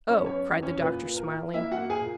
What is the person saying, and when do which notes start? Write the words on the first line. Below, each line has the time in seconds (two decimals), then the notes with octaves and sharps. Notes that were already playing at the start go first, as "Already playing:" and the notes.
"Oh," cried the doctor, smiling.
0.09 F#3 C#4 C#5
0.26 C#4 C#5
0.33 B3
0.57 E2
0.63 C#4 C#5
0.80 A#2 B3 B4
1.05 A#2
1.17 A#4
1.29 E4
1.54 A#3 E4 E5
1.71 F#4 F#5
1.78 A#3
1.90 G#4 G#5
2.01 A#2